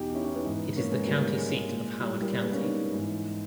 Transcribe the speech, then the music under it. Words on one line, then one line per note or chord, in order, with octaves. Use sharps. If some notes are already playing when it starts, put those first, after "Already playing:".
It is the county seat of Howard County.
Already playing: E2 B2 D#4 G4
C#4 E4
C#4 E4
B3 D#4
G#2 E3
A#3 C#4
G#3 B3
G3 A#3
G#3
A#2
G3
G3 A#3
G3 A#3
G#3 B3
A#3 C#4
B3 D#4
G#2 E3